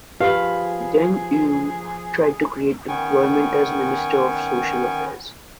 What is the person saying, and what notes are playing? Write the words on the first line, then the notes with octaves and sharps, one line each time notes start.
Den Uyl tried to create employment as minister of social affairs.
F3 G4 G#4 B4 F5 B5
D#3 B3 C#4 G5 G#5 C#6